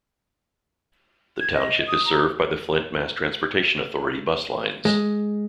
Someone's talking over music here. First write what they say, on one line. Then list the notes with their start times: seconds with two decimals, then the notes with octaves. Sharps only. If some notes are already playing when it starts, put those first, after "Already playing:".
The township is served by the Flint Mass Transportation Authority bus lines.
1.40 G#6
1.53 D#5
1.87 D#6
2.05 A#5
4.85 G#3